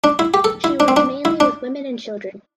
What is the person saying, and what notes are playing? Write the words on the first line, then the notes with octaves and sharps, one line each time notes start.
She worked mainly with women and children.
D4
E4
G4
A4
E4
D4
C4
D4
E4
D4